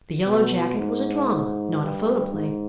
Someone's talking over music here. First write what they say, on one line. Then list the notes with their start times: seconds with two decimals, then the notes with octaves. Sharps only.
The Yellow Jacket was a drama, not a photoplay.
0.25 B2
0.77 G#2
1.81 G2
2.33 G#2